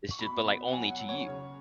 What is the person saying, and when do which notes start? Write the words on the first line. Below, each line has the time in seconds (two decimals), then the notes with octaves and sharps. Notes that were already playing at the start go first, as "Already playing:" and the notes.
It's just but, like, only to you.
0.11 C#6
0.19 B2 B5
0.45 B2
0.67 F#5
0.73 F#3 G#5
0.91 F#5
0.99 F#3
1.09 C#5
1.27 C#3